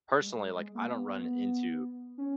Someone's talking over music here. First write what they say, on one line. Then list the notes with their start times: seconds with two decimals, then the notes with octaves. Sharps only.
personally, like, I don't run into,
0.20 G3
0.27 G#3
0.59 G#3
0.75 A#3
0.91 B3
2.18 C#4